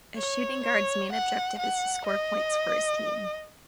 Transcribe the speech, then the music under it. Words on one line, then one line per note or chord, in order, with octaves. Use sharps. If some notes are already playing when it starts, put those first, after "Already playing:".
A shooting guard's main objective is to score points for his team.
C#5
C#5
F#5
F#5
D#5